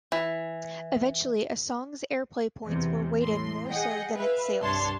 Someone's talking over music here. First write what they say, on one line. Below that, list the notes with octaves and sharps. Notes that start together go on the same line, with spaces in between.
Eventually, a song's airplay points were weighted more so than its sales.
E3
E2 C3
A2 C6
G#4 D#5 F#5 G5
B4 E5 F5
C2 G2 D4 C#5 A5 C6